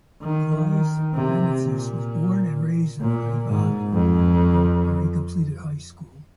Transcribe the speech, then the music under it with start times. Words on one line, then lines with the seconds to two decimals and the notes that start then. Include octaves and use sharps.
Elias Venezis was born and raised in Ayvali, where he completed high school.
0.22 D#3
0.68 D#3
1.14 C3
1.61 A#2
3.00 A#2
3.46 G#2
3.93 F2